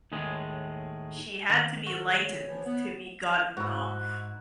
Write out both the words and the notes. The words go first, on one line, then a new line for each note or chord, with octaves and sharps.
She had to be lightened to be gotten off.
D#2 A2 D#3 G#3
D#3
F#4 A4
C#5
E3 F3
B3
G#2 E4 F#4